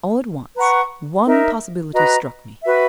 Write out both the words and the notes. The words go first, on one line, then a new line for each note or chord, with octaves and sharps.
All at once one possibility struck me.
B4 F#5 A#5 C#6
D#4 A#4 E5
F#4 B4 D#5 A#5
F#4 B4 E5